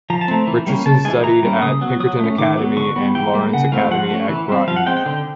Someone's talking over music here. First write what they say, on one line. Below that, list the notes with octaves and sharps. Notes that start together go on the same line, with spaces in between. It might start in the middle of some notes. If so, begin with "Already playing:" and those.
Richardson studied at Pinkerton Academy and Lawrence Academy at Groton.
F3 A#5
A5
A3 C4 A#5
E3
G3 A#3 C#4
C#3 A5
E3 G#3 G#5
E3 A#5
G3 A#3 C#4
C#3 D#6
F#3 B3
F#3 D#6
A3 C#4
D#3 D6
F#3 B3
D3 C#6
G3 B3
E3 G5
G3 A#3
C#3 F#5
E3 A3 C4 F5
F3 F#5
A3 C#4
E3
G3 C4
F3 F5
F#5
G#3 C4 G5
G5
D3